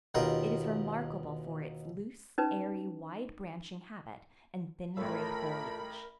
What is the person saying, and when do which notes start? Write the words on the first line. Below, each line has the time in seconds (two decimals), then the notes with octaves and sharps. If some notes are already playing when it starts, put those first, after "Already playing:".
It is remarkable for its loose, airy, wide-branching habit and thin gray foliage.
0.15 D#2 B2 F4 A#4
2.38 C#4 D#4 B4
4.97 A1 A3 F4 A4 A#4 C#5 B5 E6